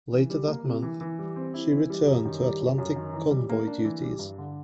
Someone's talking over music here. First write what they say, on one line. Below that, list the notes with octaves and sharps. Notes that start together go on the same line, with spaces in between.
Later that month, she returned to Atlantic convoy duties.
E3
G3
A#3
C3
E3
E3
G3
C4
E4
E3
G3
F#2
D#3
G3
F#2
F#2
D#3
E3
G3
A#3
D4
E3
G3
G2
D3